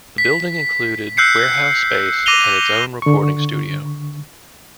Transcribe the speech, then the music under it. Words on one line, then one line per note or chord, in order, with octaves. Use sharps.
The building included warehouse space and its own recording studio.
B6
E6 F#6 G6 C7 C#7
D6 A#6 D#7 F7 G7
D3 C#6